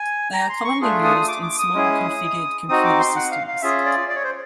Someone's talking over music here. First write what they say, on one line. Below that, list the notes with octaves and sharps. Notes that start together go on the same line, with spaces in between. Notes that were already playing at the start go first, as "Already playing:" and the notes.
They are commonly used in small-configured computer systems.
Already playing: G#5
A#5
C6
C#6
A3 D4 F4 G#4
D#6
D6
D6
D#6
G#3 C#4 E4 G#4
C4 D#4 F#4 D#6
D6
C6
F#5
F5
F5
C#4 F4 G#4 E5
D5
D5
C#5
C5